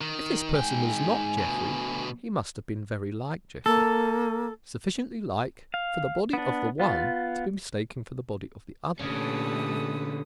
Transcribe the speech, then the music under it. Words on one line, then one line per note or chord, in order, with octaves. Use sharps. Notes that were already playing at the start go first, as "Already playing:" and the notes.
If this person was not Jeffrey, he must have been very like Jeffrey; sufficiently like for the body of the one to be mistaken for the body of the other.
D#3
G#2 G5 G#5
D2 B2
A#3 A4
F5
B3 D4
B3 F4
A#2 D3 A3 C#4 G4 A4 B4 D#6